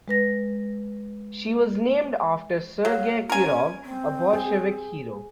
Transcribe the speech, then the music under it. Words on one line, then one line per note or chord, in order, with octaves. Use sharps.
She was named after Sergey Kirov, a Bolshevik hero.
G#3 B4 A#6
F#3 F5
C#4 A#4 G#5
C4
G#4